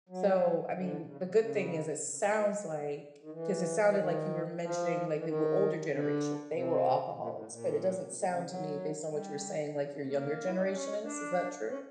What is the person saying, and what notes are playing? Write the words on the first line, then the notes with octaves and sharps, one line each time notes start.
So, I mean, the good thing is it sounds like 'cause it sounded like you were mentioning, like, they were older generation, they were alcoholics, but it doesn't sound to me based on what you were saying, like, your younger generation is, is that true?
F#3
D3
C#3
C3
C#3
C3
C#3
D3
D#3
E3
D#3
E3
F3
E3
D#3
F3
E3
D#3
D3
C3
B2
A#2
A2
A#2
B2
A#2
C3
C#3
F#3
G3
F#3
F3
G3
A3
A#3
E4
D#4
D4
C#4
D4
C#4